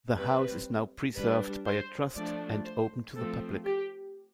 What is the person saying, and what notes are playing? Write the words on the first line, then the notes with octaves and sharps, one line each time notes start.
The house is now preserved by a trust and open to the public.
G3 C4 B4
G3 D4 B4
C5
F3 A3 D4 D5
C5
F3 A3 C4 A4
G4